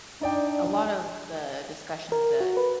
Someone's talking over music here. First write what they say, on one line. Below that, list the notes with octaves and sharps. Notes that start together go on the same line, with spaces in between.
the, uh, a lot of the discussions that,
D4 D#4 D5 G5
A#4
F#4
B4